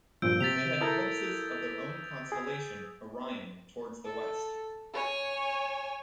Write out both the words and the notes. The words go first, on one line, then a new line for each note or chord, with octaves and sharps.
They had glimpses of their own constellation, Orion, towards the west.
G2 A#2 F3 E6 G6 D7
C3 A6 B6 F7
E4 A4 A#4 D#6 G6 G#6
G#4
A4
C#5 G#5